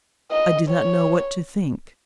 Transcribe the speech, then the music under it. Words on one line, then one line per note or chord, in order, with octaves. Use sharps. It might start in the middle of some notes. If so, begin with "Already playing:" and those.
I did not know what to think.
D#5
C#5